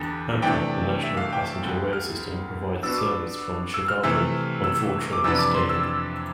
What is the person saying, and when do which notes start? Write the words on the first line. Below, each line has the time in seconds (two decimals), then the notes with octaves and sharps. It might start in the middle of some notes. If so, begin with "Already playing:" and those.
Amtrak, the national passenger rail system, provides service from Chicago on four trains daily.
Already playing: E2 D3 G3 D4
0.42 C3 E3 A3 D4 G5
1.03 E5
1.17 F5
1.33 G5
1.63 D2 D3 G3
1.93 F6
2.83 B2 B3 D4 E6
2.98 D6
3.74 E6
3.88 F6
4.03 C3 E3 A3 E6
4.64 E6
5.13 D6
5.24 F2 C3 E3 B3 D4 E6
5.38 D6
5.54 C6
5.69 E6
5.84 E6